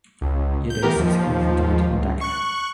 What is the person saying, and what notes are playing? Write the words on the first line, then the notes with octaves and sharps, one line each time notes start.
Udai subsequently died in Dhaka.
C#2
G6
E3 B3 G4 A#4
D#2 F3
C#2
C#6 F#6